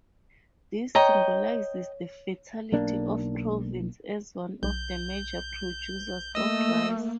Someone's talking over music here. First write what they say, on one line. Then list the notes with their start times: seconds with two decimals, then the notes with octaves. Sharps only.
This symbolizes the fertility of province as one of the major producers of rice.
0.95 C#5 D#5 G5 A#5
2.72 B1 A#3 D4
4.63 B1 G6
6.35 A3 A#3 D#5 E6